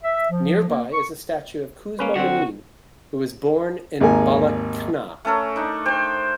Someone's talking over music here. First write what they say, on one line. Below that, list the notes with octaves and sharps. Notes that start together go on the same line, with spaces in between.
Nearby is a statue of Kuzma Minin, who was born in Balakhna.
E5
F3
A#3
C#6
A#3 C#4 B4
D3 C4 F#4
G#1 D#2 A#4 G#5
A3 C#4 A4 A#4
D4 D#4
C5 G5